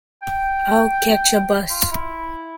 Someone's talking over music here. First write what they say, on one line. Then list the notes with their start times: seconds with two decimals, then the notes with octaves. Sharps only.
I'll catch a bus.
0.23 G5
1.70 F4
1.91 E4